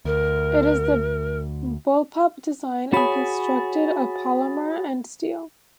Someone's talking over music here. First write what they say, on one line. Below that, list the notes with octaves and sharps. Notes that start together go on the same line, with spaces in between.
It is of bullpup design and constructed of polymer and steel.
D2 A#4
F#4 G#4 C#5 B5 A6